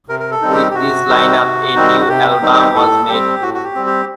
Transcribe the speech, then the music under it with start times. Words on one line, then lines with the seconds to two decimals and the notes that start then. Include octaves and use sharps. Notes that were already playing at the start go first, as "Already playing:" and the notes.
With this lineup, a new album was made.
0.08 C3 A#4
0.20 A#4
0.31 A4
0.41 D#3 G3 C4 D#4
0.53 G4
0.71 G4
0.75 C3 F#4
1.08 D#3 G3 C4 D#4
1.42 C3
1.75 D#3 G3 C4 D#4
2.01 F#4
2.09 C3 G4
2.30 G4
2.42 D#3 G3 C4 D#4
2.53 G4
2.75 A2 A4
3.09 G3 C4 G4
3.42 A2 F#4
3.54 F#4
3.64 G4
3.75 G3 C4
3.87 G4